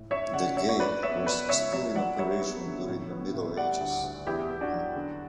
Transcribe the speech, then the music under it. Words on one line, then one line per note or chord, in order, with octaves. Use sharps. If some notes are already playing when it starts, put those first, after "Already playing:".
The gate was still in operation during the Middle Ages.
Already playing: A2
F#2 C#5 E5
C#3 D5 F#5
F#2 C#5 E5
C#5
F#2 B4 D5
B3 C#5 E5
F#2 B4 D5
C#2 C#5 E5
F#3 C#5 E5
F#3 D5 F#5
G3 C#5 E5
B3
D3
A2
B3
A2
G3 D5 F#5
D2
D2
E2 E4 G4
E2
D4 F#4
F#3
D3